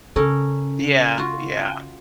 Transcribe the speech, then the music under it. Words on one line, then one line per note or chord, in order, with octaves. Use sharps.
Yeah, yeah.
C#3 C#4 A4 A#4
F4 F#4